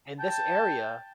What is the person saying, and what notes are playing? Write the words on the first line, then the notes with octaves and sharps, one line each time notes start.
in this area
G5 A5